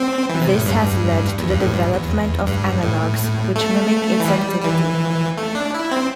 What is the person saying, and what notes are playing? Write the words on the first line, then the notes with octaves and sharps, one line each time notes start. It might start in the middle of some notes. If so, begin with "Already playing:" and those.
This has led to the development of analogs which mimic its activity.
Already playing: C4
E3
C3
A2
G2
E2
G2
A2
G2
E2
G2
A2
A3
E3
G3
G3
E3
A3
D4
E4
C4